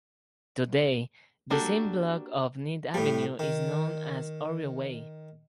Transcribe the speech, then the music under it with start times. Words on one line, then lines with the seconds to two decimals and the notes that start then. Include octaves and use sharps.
Today, this same block of Ninth Avenue is known as Oreo Way.
1.50 A#3 D4 F#4 G4 A4
2.94 A2 G3
3.39 D#3